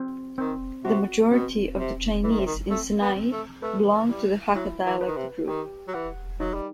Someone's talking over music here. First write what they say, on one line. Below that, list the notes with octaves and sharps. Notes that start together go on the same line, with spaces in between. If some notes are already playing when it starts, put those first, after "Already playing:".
The majority of the Chinese in Senai belong to the Hakka dialect group.
Already playing: C4
D#3 C4
C3 F#4
B2 C4
C3 C4
E3 G3
D#3
C3
D#3
A3 C4
B3
C4
A3
A3 B4
G3 E4
F#3 E4
E3
B4
D#3
C3
D#3 G4
F#3
E3 F#5
F#3 D#4
G3